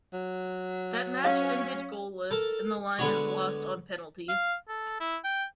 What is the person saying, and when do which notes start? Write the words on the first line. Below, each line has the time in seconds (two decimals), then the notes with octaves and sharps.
That match ended goalless and the Lions lost on penalties.
0.13 F#3
1.25 C#4 F5
2.31 A4 A#4 A5
2.99 D3 G#3 B3 D4 F#4 C#5
4.29 F5
4.68 A4
5.00 E4
5.24 G5